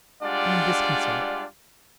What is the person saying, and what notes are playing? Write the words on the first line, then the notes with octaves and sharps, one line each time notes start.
I am disconsolate.
G3 G#3 D4 F4 D5 F#5